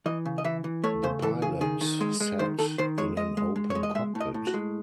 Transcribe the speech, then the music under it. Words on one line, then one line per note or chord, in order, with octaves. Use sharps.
The pilot sat in an open cockpit.
E3 D#5
C#3
D#5
E3 E5
E3
A3 C#5
C#3 C5
E3 A4
C#3 G#4
D#3 G#4
D#3
G#3
G#3
D#3 C5
D#3 A4
D#3 C5
G#3 C#5
G#3 D#5
G#3
G#3
G#3 C#5
D#5
G#3 E5
A2
D#5
A2
F#4
G#3